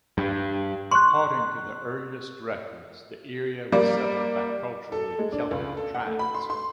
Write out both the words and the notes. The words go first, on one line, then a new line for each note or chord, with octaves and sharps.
According to the earliest records, the area was settled by culturally Celtic tribes.
G2
C6 C#6 F#6
G3 A#3 D5 D6
A4
G#3
D4
C#2
A4
F#5
A3
B5
C6
C6